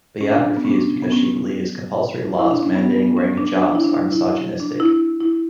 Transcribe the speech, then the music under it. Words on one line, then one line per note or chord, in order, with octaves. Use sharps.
Bayat refused because she believes compulsory laws mandating wearing hijabs are misogynistic.
C#4
D4
B3
C#4
D4
B3
C#4
E4
D4
C#4
B3
B3
C#4
D4
D4
E4
D4
E4
D4
E4
E4